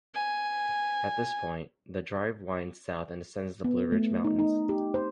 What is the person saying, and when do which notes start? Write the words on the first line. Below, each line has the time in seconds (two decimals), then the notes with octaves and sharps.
At this point, the drive winds south and ascends the Blue Ridge Mountains.
0.15 G#5
3.64 B3
3.92 A3
4.24 D#4
4.39 D#4
4.69 G4
4.94 C5